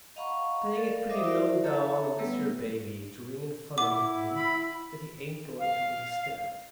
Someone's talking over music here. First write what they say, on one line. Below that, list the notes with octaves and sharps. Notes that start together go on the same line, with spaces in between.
It's playing it pretty low down on this yer baby to ring in fun on him that he ain't goin' to understand.
D#5 F5 F#5 A#5 B5 C#6
A4 A#4 D5 F5
F#3 C5 D#5 E5 D6 D#6
E4 F#4 A#4 C5 D5 E5
A4 C#5 E5 A5 A#5
F#3 G3 A3 B3 B4 E6
E4 F#5 D6
B5
F5